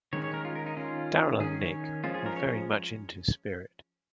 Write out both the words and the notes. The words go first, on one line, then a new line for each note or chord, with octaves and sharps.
Darryl and Nick were very much into Spirit.
D#3 G#3 C#4 C#5
C#5
A#4
F4
A#4
D#4
D#3 C#4 F4
D#3 C#4 G#4
C#5
F3 G#3 C#4 F4
G#4
A#4
C#5